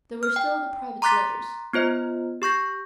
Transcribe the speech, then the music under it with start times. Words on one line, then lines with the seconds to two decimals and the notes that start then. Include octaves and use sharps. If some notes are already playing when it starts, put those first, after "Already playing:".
There were still the private letters.
0.23 F6
0.36 G5
1.02 A#5 C6 D6 F#6 A6 B6
1.73 B3 F4 C5 D#5
2.42 G4 C#6 G6 A#6